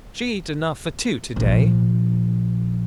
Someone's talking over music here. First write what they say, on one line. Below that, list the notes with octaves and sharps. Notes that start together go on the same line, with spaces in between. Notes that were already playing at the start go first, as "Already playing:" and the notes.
She eat enough for two to-day.
A#1